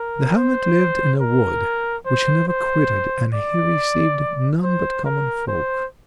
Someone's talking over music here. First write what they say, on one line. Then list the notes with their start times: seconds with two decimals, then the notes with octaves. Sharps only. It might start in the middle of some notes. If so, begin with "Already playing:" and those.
The hermit lived in a wood which he never quitted, and he received none but common folk.
Already playing: A#4
0.36 C5
1.20 A#4
2.06 C5
2.48 C5
3.34 D5
4.63 C5
5.05 A#4
5.48 C5